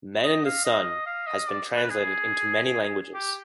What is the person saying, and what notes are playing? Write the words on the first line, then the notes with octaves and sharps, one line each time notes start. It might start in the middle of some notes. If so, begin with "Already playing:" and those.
"Men in the Sun" has been translated into many languages.
D#5
F5
D#5
F5
D#5
D5
B4
G#4
G4